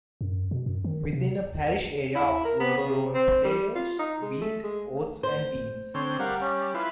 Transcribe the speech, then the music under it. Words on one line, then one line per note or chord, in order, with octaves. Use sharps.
Within a parish area of were grown potatoes, wheat, oats and beans.
F#2
B2
F#2
D#3
C3
E4
A#4
B3
C#3
C4
G3
F4
D#4
G#3
A3
G#3
C5
D3 C4 C#5 C6
G3 A#4 F5 F#5
C#4
E4 F4 B4